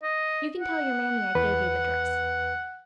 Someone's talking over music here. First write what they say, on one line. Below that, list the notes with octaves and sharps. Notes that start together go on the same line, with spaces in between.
You can tell your mammy I gave you the dress.
D#5
F#5
E2 B4